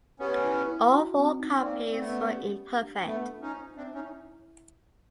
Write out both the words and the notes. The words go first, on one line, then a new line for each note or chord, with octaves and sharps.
All four copies were imperfect.
B3 C#4 G4
E4
E4
F#4
C4
D#4
C#4
A#3 C4 D5
C4 D5
A3 B3
C#4
G4
G4
D4
A3 B3 F4
F4
C#4 D#4
C5
C4 D4 E5
C#4 D#4
E4